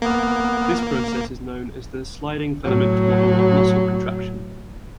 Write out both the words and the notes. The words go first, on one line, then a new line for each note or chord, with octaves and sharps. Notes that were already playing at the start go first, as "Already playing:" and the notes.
This process is known as the sliding filament model of muscle contraction.
A#3 B3
A2 F#3